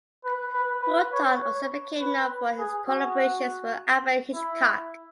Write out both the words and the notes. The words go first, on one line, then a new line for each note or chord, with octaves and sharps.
Fulton also became known for his collaborations with Alfred Hitchcock.
B4
B4
B4
C#5
C#5
B4
G#4
F#4
E4